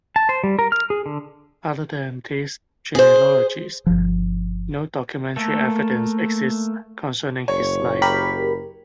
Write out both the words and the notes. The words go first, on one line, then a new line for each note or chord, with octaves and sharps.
Other than these genealogies, no documentary evidence exists concerning his life.
A5
C5
G3
A#4
F6
G#4
D3
G#4 C5
G1 F3
A3 A#3 A4
F#1 C#5
G4 A#4 B5